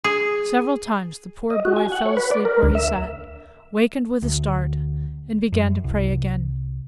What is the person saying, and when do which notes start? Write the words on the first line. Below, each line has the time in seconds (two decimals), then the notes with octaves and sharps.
Several times the poor boy fell asleep where he sat, wakened with a start, and began to pray again.
0.04 G#4
1.50 D#5
1.65 F#4
1.76 G#5
1.92 F#5
2.06 C#5
2.17 B4
2.31 D5
2.45 A#4
2.63 D2
2.75 E5
4.22 D2
5.52 F#2
5.84 C2